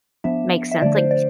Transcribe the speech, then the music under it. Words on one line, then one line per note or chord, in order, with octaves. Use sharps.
Makes sense, like,
F3 B3 D4 E5
E5
D3 F3 A3 D4 D5
C5
D5